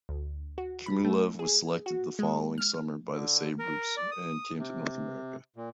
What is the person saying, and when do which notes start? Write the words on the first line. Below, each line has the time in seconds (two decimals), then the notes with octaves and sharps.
Khmylev was selected the following summer by the Sabres and came to North America.
0.09 D2
0.58 F#4
0.86 B5
1.05 A3
1.39 G#4
1.86 F#4
2.19 G#3
2.58 F6
3.15 D3
3.59 A#4
3.97 D5
4.11 D#6
4.59 C3
5.56 A#2